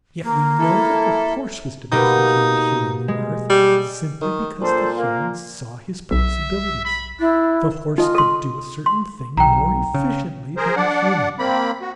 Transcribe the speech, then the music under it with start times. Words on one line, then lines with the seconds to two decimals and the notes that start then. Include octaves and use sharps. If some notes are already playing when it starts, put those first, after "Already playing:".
And yet we know that the horse was domesticated, here on the earth, simply because the humans saw his possibilities; the horse could do a certain thing more efficiently than a human.
0.23 A#3
0.58 E4 A4
1.92 B2 A#3 D#4 G4
3.08 G#3
3.50 G3
4.21 D#3
4.61 A#2 D4 A4 C5
4.96 A#3
6.11 B1 E5
6.85 B5
7.20 D4 E4
7.98 D#4 F4 D#5
8.15 A4 C6
8.86 C6
9.37 B1 G5 A#5
9.94 C#3
10.57 G#4 A#4 C5
10.76 D4 D5 F#5
11.39 A#3 C4 B5
11.81 F#4